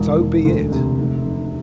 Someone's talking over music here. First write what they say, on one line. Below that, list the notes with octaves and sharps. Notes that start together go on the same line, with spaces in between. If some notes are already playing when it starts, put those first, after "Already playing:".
"So be it."
Already playing: E1
E1
D2
C3
F1
F1